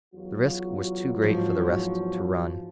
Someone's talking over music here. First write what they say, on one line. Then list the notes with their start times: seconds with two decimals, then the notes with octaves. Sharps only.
The risk was too great for the rest to run.
0.13 E2 F#3 F4
1.22 G#2 F3